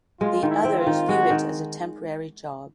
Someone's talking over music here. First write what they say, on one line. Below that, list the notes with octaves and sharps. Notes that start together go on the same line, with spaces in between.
The others view it as a temporary job.
G#3 F4
D#3
E4
C4
F4
D#3
G#3 F#4
D#3